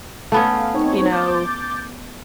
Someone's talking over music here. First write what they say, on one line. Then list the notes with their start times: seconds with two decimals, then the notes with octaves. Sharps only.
you know,
0.32 A3 B3 C#4 F5
0.74 C4 D#4 C#5
1.11 D6 G6 A6